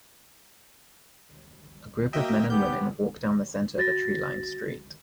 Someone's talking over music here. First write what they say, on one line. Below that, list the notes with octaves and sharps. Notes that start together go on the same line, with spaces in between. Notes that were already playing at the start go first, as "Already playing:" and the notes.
A group of men and women walk down the center of a treelined street.
A#3 F#4 D#5 E5 G5
B3 D#4 G4 G6
F#4 A6 A#6